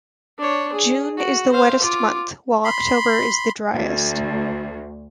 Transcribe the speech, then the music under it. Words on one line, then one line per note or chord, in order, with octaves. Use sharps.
June is the wettest month while October is the driest.
D4 C#5
G#4
F#4
C5 F5
F4 D6
B5 C6
D2